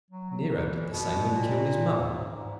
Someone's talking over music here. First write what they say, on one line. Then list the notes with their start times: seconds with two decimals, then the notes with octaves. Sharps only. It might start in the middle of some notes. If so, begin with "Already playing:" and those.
Nero did the same when he killed his mother.
0.10 F#3
0.30 F#3
0.51 E3
0.92 B2
1.32 A#2
2.13 G#2
2.33 G#2